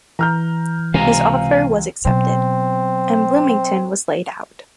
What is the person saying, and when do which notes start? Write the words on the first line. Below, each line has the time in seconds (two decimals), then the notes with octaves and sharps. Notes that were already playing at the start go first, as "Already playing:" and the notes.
His offer was accepted, and Bloomington was laid out.
0.19 E3 A#5 F6 G6
0.94 C#2 C3 F5 G#5 A#5
2.05 B2 F#3 C4